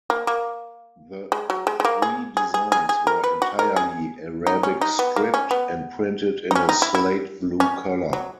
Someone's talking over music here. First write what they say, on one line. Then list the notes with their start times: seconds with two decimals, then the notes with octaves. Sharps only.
The three designs were entirely Arabic script, and printed in a slate blue color.
0.10 A#3
0.27 A#3
1.32 G#3
1.50 F#3
1.67 G#3
1.80 G#3
1.85 A#3
2.02 G#4
2.37 G#4
2.54 G#4
2.72 G#4
2.89 G#4
3.07 A#4
3.24 B4
3.42 F#4
3.59 A#4
3.76 G#4
4.47 D#4
4.63 C#4
4.81 D#4
4.99 B3
5.16 A#3
5.34 C#4
5.51 B3
6.51 D#4
6.55 C#4
6.69 D#4
6.82 E4
6.95 E4
7.60 C#4
8.13 F#3